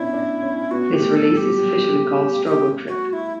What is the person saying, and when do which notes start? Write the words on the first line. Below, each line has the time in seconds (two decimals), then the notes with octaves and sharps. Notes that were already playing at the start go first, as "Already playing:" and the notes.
This release is officially called "Strobo Trip".
Already playing: B3 C#4 D4 E4
0.13 D4
0.42 C#4
0.71 B3 F#4
0.93 G4
1.00 A3
1.15 A4
1.29 G3
1.37 G4
1.58 F#3
2.45 G4
2.88 F#4
3.10 F#4
3.13 E4